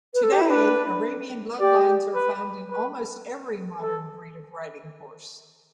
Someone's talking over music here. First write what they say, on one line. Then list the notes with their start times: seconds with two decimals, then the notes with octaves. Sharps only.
Today, Arabian bloodlines are found in almost every modern breed of riding horse.
0.14 B4
0.23 A4
0.32 G4
0.41 E4
0.50 D4 B4
1.60 G4 D5
2.15 B4
2.71 B4
3.81 A4